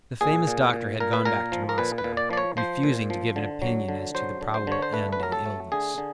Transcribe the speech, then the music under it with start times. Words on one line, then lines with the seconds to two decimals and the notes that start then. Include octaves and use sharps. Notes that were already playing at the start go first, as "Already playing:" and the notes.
The famous doctor had gone back to Moscow, refusing to give an opinion as to the probable end of the illness.
0.21 A#2 G#4
0.47 A#2
0.73 A#2
1.00 A#2 A#4
1.13 B4
1.25 A#2 A#4
1.52 F3
1.69 A#4
1.78 A#2 B4
1.98 B4
2.04 A#2
2.17 D5
2.31 F3 D5
2.37 C#5
2.57 F3 C5
2.83 A#2
3.10 F3
3.36 D3
3.62 F#3
3.88 D3
4.15 F#3 C5
4.41 D3
4.54 C5
4.67 D3 C#5
4.82 C5
4.93 A3 B4
5.13 B4
5.20 F#3 A#4
5.32 A4
5.46 A3
5.72 D3 G#4
5.98 D3